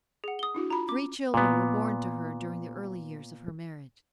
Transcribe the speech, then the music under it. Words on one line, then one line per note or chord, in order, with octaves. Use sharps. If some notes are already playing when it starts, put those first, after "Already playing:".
Three children were born to her during the early years of her marriage.
G#4 F#5
D#6 G7
D4 E4 F#4
F4 A#5 B5
C#4 D6
A#2 B3